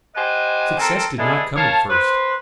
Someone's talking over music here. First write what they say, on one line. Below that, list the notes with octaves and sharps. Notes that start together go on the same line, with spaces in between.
Success did not come at first.
G4 B4 C5 D#5 F#5 G#5
C4 A4 A#4
G#3 E4 G#4 A4 B4 D5
A#4 C#5 F5 A5
B4 C5